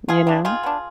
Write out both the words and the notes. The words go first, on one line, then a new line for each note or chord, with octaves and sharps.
you know?
B2 F4 G#4
G3 D4
D#3 F4 G#4
B3 D4